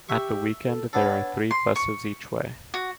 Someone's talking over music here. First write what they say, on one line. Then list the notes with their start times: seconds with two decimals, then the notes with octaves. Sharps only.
At the weekend there are three buses each way.
0.09 G4 E5 C#6
0.65 A4
0.93 B3 D4 A4 C#5
1.51 C6
1.76 C#6
2.74 F#4